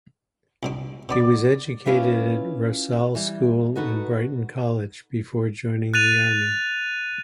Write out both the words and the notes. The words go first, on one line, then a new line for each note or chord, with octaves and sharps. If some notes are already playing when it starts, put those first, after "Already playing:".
He was educated at Rossall School and Brighton College before joining the army.
C2 B2 D4
B2 B3 D4 D5 D#5
C#4 E4 F4 G4 B4 E5
E3 G3
D#4 F#4 A4 B4
F#6 A6 D#7 F7